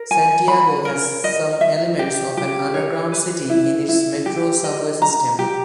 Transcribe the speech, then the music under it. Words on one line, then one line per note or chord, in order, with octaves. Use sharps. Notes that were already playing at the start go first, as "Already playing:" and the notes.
Santiago has some elements of an underground city in its "Metro" subway system.
Already playing: A#4
G#5
B5
A#4
D#5
E5
G4
G4
C#5
B4
E4
E4
G4
D#5
A#5
G4